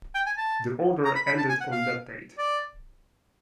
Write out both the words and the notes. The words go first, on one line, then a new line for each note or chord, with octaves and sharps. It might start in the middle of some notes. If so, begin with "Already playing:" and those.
The order ended on that date.
G5
G#5
A5
A#5
B5
B5
A5
G#5
F#5
F5
D5